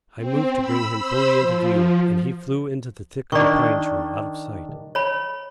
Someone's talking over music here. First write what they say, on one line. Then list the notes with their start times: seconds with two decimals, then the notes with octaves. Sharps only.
I moved to bring him fully into view, and he flew into the thick of a pine-tree out of sight.
0.17 C4
0.57 B5 E6
0.94 C5 B5 E6
1.39 F3
3.32 D#3 D4 D5 C#6
4.95 C#5 B5